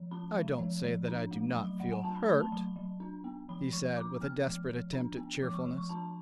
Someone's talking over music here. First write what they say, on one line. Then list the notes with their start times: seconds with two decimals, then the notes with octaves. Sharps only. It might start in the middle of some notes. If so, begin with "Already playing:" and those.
"I don't say that I do not feel hurt," he said, with a desperate attempt at cheerfulness.
Already playing: F3
0.11 C#4 B5
0.35 G#3
0.59 F3
0.84 F3
1.08 D4
1.31 A3
1.56 F#3 B5
1.80 F#3 F#5
1.92 G#5
2.03 D4 A5
2.16 B5
2.28 A3 B5
2.41 A5
2.52 F#3 B5
2.76 F#3
3.00 D4
3.24 B3
3.49 F3 B5
3.72 F3 C#6
3.96 D4 D6
4.21 B3 F6
4.46 F3
4.69 F3
4.93 D4
5.17 B3
5.42 F3 D6
5.54 C#6
5.66 F3
5.78 C#6
5.89 D4 A5